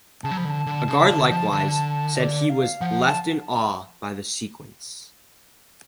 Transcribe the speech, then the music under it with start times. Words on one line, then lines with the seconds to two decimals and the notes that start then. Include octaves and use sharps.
Agard likewise said he was "left in awe" by the sequence.
0.23 C#3 A5
0.31 F#3
0.37 F3 B5
0.45 D3 A5
0.66 D3
0.88 C#3
1.10 D3
1.31 F3
1.52 D3
2.16 D5
2.49 F5
2.81 F3 F#5
3.02 A5